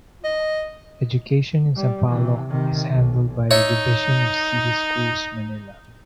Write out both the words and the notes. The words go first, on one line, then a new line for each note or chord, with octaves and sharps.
Education in Sampaloc is handled by the Division of City Schools - Manila.
D#5
G3
C3 E3
C3 D#3
B1
D#4 C#5 E5